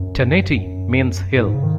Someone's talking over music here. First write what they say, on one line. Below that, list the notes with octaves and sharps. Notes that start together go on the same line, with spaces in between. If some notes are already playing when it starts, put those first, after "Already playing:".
"Tanety" means hill.
Already playing: F#2
F#2
G#2
C#3
D#3